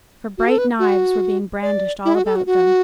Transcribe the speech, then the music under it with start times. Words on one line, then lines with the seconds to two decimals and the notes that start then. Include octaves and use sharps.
For bright knives were being brandished all about them.
0.38 F#4
0.48 A4
0.58 B4
0.79 F#4
1.63 D5
2.05 E4
2.15 F#4
2.25 A4
2.36 F#4
2.46 F#4